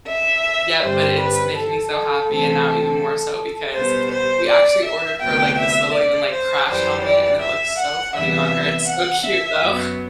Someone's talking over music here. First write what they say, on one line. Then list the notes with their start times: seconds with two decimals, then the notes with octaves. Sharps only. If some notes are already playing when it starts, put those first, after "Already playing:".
yep, but it's making me so happy and now even more so because we actually ordered her like this little even, like, crash helmet and it looks so funny on her, it's so cute though.
0.08 E5
0.81 G2 D3 G3 C4 C5
1.18 B4
1.55 A4
1.92 A4
2.28 C3 E3 A3 C4
3.75 B2 G3 B3 C5
4.11 C5
4.48 D5
4.85 E5
5.22 D2 C3 F#3 B3 G5
5.58 E5
5.95 D5
6.32 C5
6.68 F#2 E3 G3 C5
7.05 D5
7.42 E5
7.78 F#5
8.15 E2 C3 G3 B3 E5
8.88 F#5
9.25 E5
9.62 F#2 F#3 B3